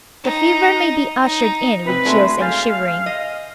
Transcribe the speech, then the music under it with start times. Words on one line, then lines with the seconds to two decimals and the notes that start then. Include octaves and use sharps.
The fever may be ushered in with chills and shivering.
0.24 D#4
1.24 D#4
1.85 C3 C4 B4
2.05 G#3 A3 D4 F#4
2.40 F5 G#5 G6 A6
3.06 D#5